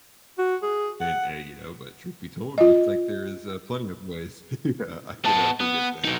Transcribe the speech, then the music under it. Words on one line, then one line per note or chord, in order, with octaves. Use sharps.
and and, you know, but, truth be told, looks like there is, uh, plenty of ways yeah, I can, uh, forget that.
F#4
G#4
F#5
F4 D#5
B3 A5
B3
F#3 D#4